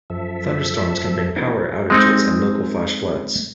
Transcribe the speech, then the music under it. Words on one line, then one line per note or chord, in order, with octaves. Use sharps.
Thunderstorms can bring power outages and local flash floods.
F#2 F3 A4 E5
E3 A#3 C4 D4 D#4 F#4
G#3 C4 D#4